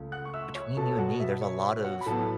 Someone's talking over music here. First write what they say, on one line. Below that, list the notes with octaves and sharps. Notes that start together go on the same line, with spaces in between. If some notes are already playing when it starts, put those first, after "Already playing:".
between you and me, there's a lot of
Already playing: C#2 C#3 A3 C#4
F#5 F#6
C#6
E5 E6
C#5 C#6
B2 B3 A4 A5
A5
F#4 F#5
E5
C#5
F#4 F#5
B5
A2 F#3 B3 A4 A5